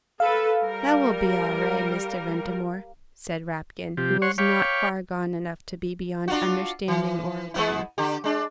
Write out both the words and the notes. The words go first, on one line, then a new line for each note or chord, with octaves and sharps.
"That will be all ri', Mr. Ventimore," said Rapkin, who was not far gone enough to be beyond understanding or obeying.
A4 B4 F5
G3 A#4
C3 F3 G4
C#5 F#5 C6 C#6
C#5 F5 G5 B5 C#6 D6
D4 F4 F#4
E3
G#3 B3 E4
D3 G4
G#3 D4